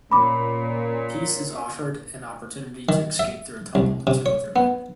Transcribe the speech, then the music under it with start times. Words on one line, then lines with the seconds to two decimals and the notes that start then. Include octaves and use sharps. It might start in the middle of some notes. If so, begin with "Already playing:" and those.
Pease is offered an opportunity to escape through a tunnel with two other men.
0.11 A#2 C#4 B5 D6
2.89 D#3
3.19 E5
3.75 C2
4.07 C3
4.26 C#5
4.56 B3